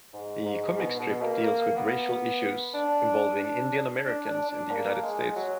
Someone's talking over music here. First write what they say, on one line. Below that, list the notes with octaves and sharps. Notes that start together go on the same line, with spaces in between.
The comic strip deals with racial issues involving Indian Americans in the United States.
G#2
G#2
B2
B2
A#3
A#3
B3
D4
D4
D4
D4
D4
A#3
G#3
F#3